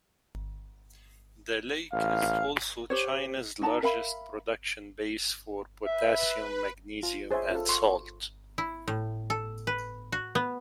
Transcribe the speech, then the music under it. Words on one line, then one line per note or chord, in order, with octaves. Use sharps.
The lake is also China's largest production base for potassium, magnesium, and salt.
A1 F5
G4 C5 C#5
D#4 F#5 A5 A#5
A#4 E5 F5 B5
B4 E5
F4
G#4 C5 C#5 E5 G#5
F4 A4
C6 C#6
E4
A2
A4
B4
F#4
B3